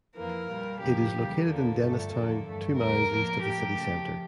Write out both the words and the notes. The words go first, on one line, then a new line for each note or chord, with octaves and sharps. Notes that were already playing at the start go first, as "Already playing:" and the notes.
It is located in Dennistoun, two miles east of the city centre.
F2 E3 A#3 A#4
A#2 G3 A#3
F2 C#3 F3 A#3 G4
C#3 E3 G3 A#3
E2 D3 F3 A#3 A4
G2 D3 A3
E2 D3 F3 A#3
G2 E3 A3
E2 C#3 G3 A#4
A2 F3 A#3
A2 F3 A#3 G4
C#3 F3 A3